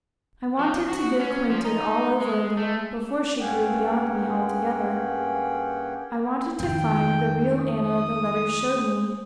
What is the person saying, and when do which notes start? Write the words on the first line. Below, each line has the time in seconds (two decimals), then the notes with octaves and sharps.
I wanted to get acquainted all over again, before she grew beyond me altogether--I wanted to find the real Anna the letters showed me.
0.59 F3
0.89 F#4
1.20 C#4
1.50 F3
1.64 D#4
2.20 G#3
2.57 A3
3.39 G2 A#3 C#4 G#4 F#5 G5
6.60 F2 D#3 G5
7.58 D#6